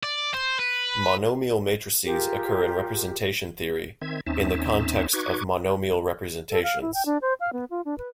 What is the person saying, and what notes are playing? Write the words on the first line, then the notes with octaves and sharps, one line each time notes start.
Monomial matrices occur in representation theory in the context of monomial representations.
D5
C5
B4
F4 G4 G#4 A#4
D#3 C4 E5 G#6
D#2 C4 C#4 D#4 E5 A5
D#4 F#4 B4 C#6 D6 G#6
A4
F5
E4
G5
D4
C5
F5
B3
F4
D4
B4